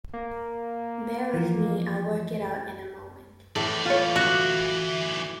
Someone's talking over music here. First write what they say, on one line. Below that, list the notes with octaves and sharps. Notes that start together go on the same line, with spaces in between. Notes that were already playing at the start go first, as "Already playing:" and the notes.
Bear with me; I'll work it out in a moment.
A#3
E3 F3
A2 E3 D5
F4 C#5
F#4